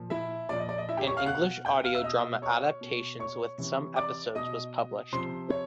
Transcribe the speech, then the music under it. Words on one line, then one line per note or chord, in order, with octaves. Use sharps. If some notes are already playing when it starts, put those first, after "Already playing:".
An English Audio drama adaptation with some episodes was published.
Already playing: A#2 F3
E4 E5
A#2 F3 D5
D#5
D5
D#5
E4 E5
G4 G5
C#5 C#6
F5 F6
B2 F#5 F#6
G5 G6
F5 F6
E5 E6
B2 D#5 D#6
C#5 C#6
B2
C#5 C#6
C3 E3
D5 D6
B2 D#5 D#6
C3 F3 C5 C6
C#5